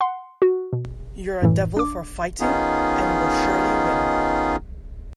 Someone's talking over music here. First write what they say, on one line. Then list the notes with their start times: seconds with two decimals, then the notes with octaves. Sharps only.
You're a devil for fighting, and will surely win.
0.01 F#5 C6
0.42 F#4
0.73 B2
1.42 F#2 A2 E3
1.77 D4 D6
2.40 D#3 B3 C#4 D#4 F4 G#4